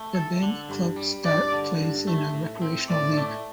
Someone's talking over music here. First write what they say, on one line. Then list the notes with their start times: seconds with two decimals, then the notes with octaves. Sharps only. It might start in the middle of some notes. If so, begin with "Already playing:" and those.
The bandy club Start plays in a recreational league.
Already playing: A3
0.15 A4
0.42 D3
0.69 G2
0.96 G3
1.25 G2 D5
1.52 D3
1.79 G2
2.07 A3
2.34 A2
2.62 C4
2.90 A2 D5
3.17 A3